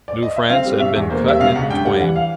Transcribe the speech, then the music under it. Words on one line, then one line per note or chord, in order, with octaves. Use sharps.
New France had been cut in twain.
D5
D#5
E5
C4 F5
G3
B2 E5
E2
A#3 C5
G3 E5
B2 F5
C#2 F#5
G2 G5
G3 F#5
E3 F#5
F5